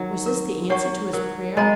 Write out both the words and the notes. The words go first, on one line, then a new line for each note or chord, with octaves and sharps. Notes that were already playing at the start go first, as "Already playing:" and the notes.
Was this the answer to his prayer?
Already playing: D#3 F#3
A#4
F#3 C#5 F#5 C#6
F#3 A#4
G#3 D#5 A#5